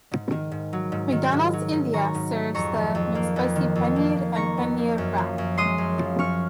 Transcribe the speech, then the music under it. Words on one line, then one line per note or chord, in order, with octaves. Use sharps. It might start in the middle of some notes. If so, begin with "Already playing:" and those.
McDonald's India serves the McSpicy Paneer and Paneer Wrap.
G#2
D#3
G#2
F#3
G#2
D#3
G#2
F#3
G#2
D#3 A#5 C#6
G#2
F#3
F2 A#5 C#6
D#3
F2
A#3
F2
D#3
F2
A#3
F2
D#3 A#5 C#6
F2
A#3
F#2
F3
F#2
G#3 C6 D#6
F#2
F3
F#2 C#6 F6